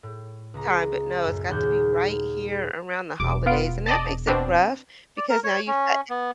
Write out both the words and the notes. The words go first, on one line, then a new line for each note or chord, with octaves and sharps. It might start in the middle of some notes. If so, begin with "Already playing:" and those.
time? But, no, it's got to be right here around the holidays. And that makes it rough because now you've got
A2
C#2 A#5
F#2 A2
D#2 A#2 F#4 G#4 F#6 G6
E1 D6
B3 F4 D7
D5 D#5 A5
B2 C4 D4
D5
A#4
C#5
C#4
B3